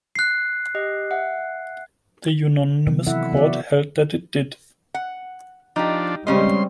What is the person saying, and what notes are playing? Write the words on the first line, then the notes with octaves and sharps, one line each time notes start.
The unanimous Court held that it did.
F#6 C7
G4 D#5
E5 F#5
C3 D#3 E3 F#3 B3
E4 A4 E5 F#5
B3 E4 F#4 D5
F#5
F3 D4 D#4 G4
C#3 G3 G#3 C4 C#4 D#5 C6